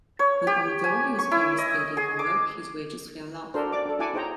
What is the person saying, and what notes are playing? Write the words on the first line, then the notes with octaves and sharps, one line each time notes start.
But although he was very steady at work, his wages fell off.
C#5
G4
G#5
C#6
E4
D#5
G#4
D6
D4 F#4 A4 A#4 C5
D5 D6
D4 A4
E4 F#4 F#5 G#5 A5 D6
D#4 G#4 C5 C#5 G5 A#5